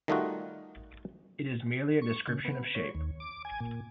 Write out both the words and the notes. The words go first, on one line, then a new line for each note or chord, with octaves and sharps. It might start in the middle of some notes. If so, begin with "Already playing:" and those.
It is merely a description of shape.
D#3 G3 A3 D#4 F4 F#4
C#6
C#3
B3
C#5
D#2
D6
G#5
A#2